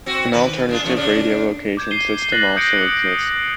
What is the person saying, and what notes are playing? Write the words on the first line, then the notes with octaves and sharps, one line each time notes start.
An alternative radio location system also exists.
C4 F#4
D#3 B4
G#3 D4 F4
C3 F3 A3
C#3 D4
D6 G6 G#6
C7 D#7 G7
F#6 A6 A#6 F#7 G7
D#6 G6 C#7 D7
D#6